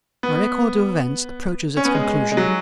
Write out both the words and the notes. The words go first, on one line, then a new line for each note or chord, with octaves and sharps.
MY record of events approaches its conclusion.
B3
C#4
B3
G#3
G#3
F#3